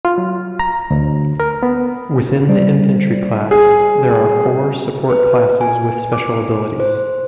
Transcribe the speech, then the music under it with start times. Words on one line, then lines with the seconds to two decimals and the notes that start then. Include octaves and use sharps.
Within the infantry class, there are four support classes with special abilities.
0.05 F4
0.18 F#3
0.59 A#5
0.91 D2
1.40 A#4
1.63 B3
2.49 G3 C5 D5
3.51 G#4
5.10 B4
5.61 G#5
6.13 D6
6.80 C5